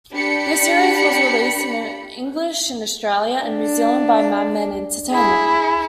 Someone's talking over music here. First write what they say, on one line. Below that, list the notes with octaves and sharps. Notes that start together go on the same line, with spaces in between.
The series was released in English in Australia and New Zealand by Madman Entertainment.
D4 G4 B5 C#7
D4
E4 G#4